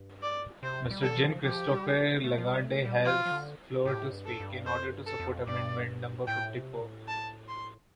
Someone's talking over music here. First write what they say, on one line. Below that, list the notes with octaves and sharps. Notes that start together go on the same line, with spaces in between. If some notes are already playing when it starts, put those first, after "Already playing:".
Mister Jean-Christophe Lagarde has the floor to speak, in order to support amendment number fifty-four.
Already playing: G2
D5
C3 C5
G3
A4
D3
F3
F3 G4
G3
A3
F3
G3
A3
G3
F3 F4
F3
D3
A2 G4
G2
A4
G2
F2 C5
G2
A4
F2
G2 D5
A2 G5
C3
A2
A5
C6